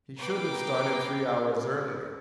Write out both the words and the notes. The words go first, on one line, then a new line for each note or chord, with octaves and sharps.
He should have started three hours earlier.
B3 B4 G5 A#5 D6 C7